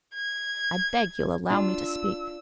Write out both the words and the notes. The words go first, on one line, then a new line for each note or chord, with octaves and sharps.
I beg you'll allow me to speak.
G#6
D4 F4 E6